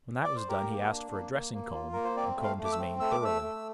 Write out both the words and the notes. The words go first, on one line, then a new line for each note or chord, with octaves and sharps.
When that was done he asked for a dressing-comb, and combed his mane thoroughly.
D5
C5
G4 A#4
A#3
D4
A#3
A#3
A#3
F4
A#3 A#4
C5
C4 D5
A3
F5
A3
D6
E6
C4
A3 E6
D6
A3 E6
A3